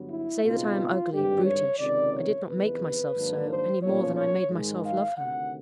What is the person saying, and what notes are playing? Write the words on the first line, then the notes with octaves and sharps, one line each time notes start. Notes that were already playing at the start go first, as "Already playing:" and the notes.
Say that I am ugly, brutish; I did not make myself so, any more than I made myself love her.
Already playing: G2 D3 F#3 B3
E4
C#2 B2 G#3 C4 D#4 F4
G#1 G2 D3 G4
C#5
C#2 C3 D#3 D5
C#5
E2 C3 D#3 B4
G#2 D#3 F#3 A#3 D4
C5
B1 A#2 F3 A#3 C#4 C#5
C#5
G#2 D#3 G#3
F5
D2 C3 D#3 F#5